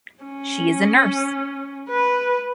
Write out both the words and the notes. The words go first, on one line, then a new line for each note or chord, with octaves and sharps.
She is a nurse.
C#4
B4